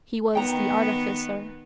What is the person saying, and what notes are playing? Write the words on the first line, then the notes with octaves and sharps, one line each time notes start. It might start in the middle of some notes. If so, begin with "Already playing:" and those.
He was the artificer.
D#3 B3 G5 A#5